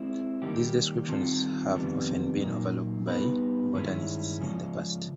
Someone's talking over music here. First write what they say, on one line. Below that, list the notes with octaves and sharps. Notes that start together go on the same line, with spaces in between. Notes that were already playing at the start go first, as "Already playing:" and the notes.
These descriptions have often been overlooked by botanists in the past.
Already playing: G#3 C4 E4
D#3 G3 A#3 D#4 G4
D#3 G3 C4 F4 A4
F2 C3 D#3 G3 B3
A#2 F#3 A#3 D#4
G3 B3 D#4 G4 B4
G2 D#3 G#3 C#4 E4
C#3 F3 G#3 C#4